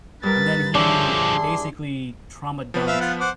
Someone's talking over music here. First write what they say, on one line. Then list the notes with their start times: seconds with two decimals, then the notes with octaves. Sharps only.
And then he basically trauma-dumped
0.23 G2 G3 A#4 B4 A6
0.75 D3 F3 D4 G#4 C#5 E5 C6
2.74 F3 B3 B4
2.87 E5 F5
3.01 F4 F#5
3.20 C5 F#5 D6